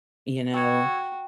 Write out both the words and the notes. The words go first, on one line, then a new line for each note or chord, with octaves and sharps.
you know?
F#4 A4 C#5 G5